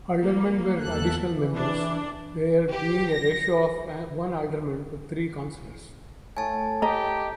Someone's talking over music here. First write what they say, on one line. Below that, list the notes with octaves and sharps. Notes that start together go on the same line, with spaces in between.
Aldermen were additional members, there being a ratio of one alderman to three councillors.
A#3
E2 A4 F#6
E3
D4
G4
A#6
A2 G#5 A5
G4 D#5 A#5